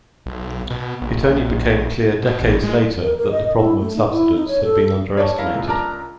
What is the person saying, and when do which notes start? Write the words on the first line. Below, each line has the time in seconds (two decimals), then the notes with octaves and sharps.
It only became clear decades later that the problem of subsidence had been underestimated.
0.26 B1
0.70 B2
1.02 A#1
2.23 B2
2.42 A1
2.64 G#3
3.01 A#4
3.18 A#4
3.31 D#5
3.59 E4
3.80 A3
3.96 D#4
4.12 E4
4.36 D#4
4.48 C#5
4.64 A4
5.17 C#5 D5 A5
5.38 E4 A#4 F5
5.54 C#2
5.67 D4 A#4 A#5